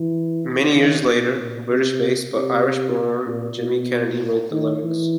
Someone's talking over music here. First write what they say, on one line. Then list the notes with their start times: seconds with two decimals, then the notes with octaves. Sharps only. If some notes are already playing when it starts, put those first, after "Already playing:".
Many years later British-based, but Irish-born Jimmy Kennedy wrote the lyrics.
Already playing: E3
0.75 D#3
1.08 B2
1.38 A#2
1.69 C3
2.32 C3
3.26 A#2
3.57 B2
4.51 D#3
4.83 E3